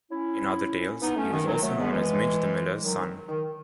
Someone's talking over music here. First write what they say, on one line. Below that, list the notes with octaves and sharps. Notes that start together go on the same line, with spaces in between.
In other tales, he was also known as Midge the Miller's son.
C#4 E4
B3 D#4
A3 C#4
D#3
D#3 F#3
F#3 A3
G#3 B3
E3 G#3
D#3 F#3
D#3